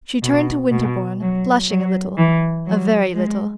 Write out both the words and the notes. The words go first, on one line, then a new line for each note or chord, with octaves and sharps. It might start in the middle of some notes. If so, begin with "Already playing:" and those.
She turned to Winterbourne, blushing a little--a very little.
B2
B2
F#3
F#3
E3
F#3
G#3